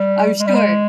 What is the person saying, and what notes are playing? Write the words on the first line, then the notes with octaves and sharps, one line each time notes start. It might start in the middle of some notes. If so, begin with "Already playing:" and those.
I'm sure.
Already playing: G3
G#3
G3
G#3